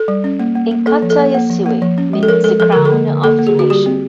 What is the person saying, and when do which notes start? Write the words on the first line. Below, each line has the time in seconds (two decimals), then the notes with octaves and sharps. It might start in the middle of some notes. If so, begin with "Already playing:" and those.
"Inkatha YeSizwe" means "the crown of the nation".
Already playing: A4
0.08 G3
0.24 C#4
0.40 A#3
0.55 A#3
0.71 A#3
0.87 A#3 A4
1.02 F3
1.10 A4
1.18 A#3
1.35 A#3
1.50 F3
1.66 A#3
1.82 F3
1.98 C#4
2.13 G#3
2.23 A4
2.28 F3 A#4
2.44 G#3 A4
2.60 F3 A4
2.72 D3 A#4
2.85 A4
2.91 A#3
3.07 D3
3.23 A#3 A4
3.39 A#3
3.47 G#4
3.55 D3 F#4
3.70 G3 G4
3.86 C4